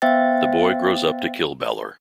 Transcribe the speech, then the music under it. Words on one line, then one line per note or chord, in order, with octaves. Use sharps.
The boy grows up to kill Balor.
B3 C5 E5 F5 G5 A6